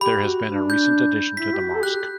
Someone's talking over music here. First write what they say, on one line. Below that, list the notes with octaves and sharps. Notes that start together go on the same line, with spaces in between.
There has been a recent addition to the mosque.
G4 B5
F#4
D4
G6
E4 B6
G4
F#4
A4
G4 F#6